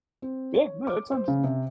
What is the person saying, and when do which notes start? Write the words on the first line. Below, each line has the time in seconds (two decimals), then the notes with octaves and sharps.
Well, no, that sounds
0.22 C4
0.54 C#5
0.87 D6
1.12 C5
1.28 C#3
1.44 C3